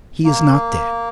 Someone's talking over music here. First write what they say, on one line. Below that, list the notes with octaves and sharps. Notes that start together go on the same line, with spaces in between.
He is not dead.
A#3